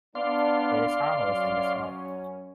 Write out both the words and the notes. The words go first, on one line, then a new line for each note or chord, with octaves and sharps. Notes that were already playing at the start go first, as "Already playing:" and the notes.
It is harmless in this mode.
B3 D4 D5 F5 C6
F#2 C#4